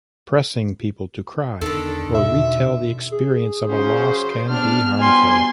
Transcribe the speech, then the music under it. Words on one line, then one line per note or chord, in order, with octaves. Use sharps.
Pressing people to cry or retell the experience of a loss can be harmful.
E2 D3 D#3 A4
B2 E5
G#4
C#3 F#3 C#4 C5
C3 B3 D4 F6
B2 F3 G3 G#5 C6